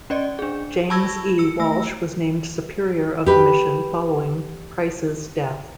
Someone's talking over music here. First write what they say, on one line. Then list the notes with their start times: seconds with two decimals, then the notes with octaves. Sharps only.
James E Walsh was named Superior of the mission following Price's death.
0.10 C#4 D5 D#5
0.39 D4 G#4
0.90 A5 B5 C#6 E6 G#6 A#6
1.38 E6 C#7
1.59 A3 E6 A#6
3.26 G4 B4